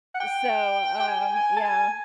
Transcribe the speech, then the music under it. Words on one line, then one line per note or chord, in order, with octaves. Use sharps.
So, um, yeah.
F#5
G5
G5
G#5
G#5
A5
G#5